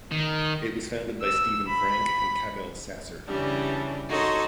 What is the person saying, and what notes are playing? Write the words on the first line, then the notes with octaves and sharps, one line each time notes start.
It was founded by Steven Frank and Cabel Sasser.
D#3
E6
B5
C#3 E3 G3 C#4 D4
D#4 F#4 A4 C#5 C6